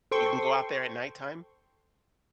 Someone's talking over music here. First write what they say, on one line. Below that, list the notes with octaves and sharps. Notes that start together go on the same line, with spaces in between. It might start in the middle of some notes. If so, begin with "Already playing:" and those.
You can go out there at nighttime.
A4 C5 G5 C6 C#6